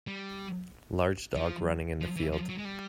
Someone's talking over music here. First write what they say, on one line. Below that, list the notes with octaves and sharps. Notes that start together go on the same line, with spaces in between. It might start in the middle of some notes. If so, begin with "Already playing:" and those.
Large dog running in the field.
G3
F3
F3
E3
F3
F#3
G#3
G3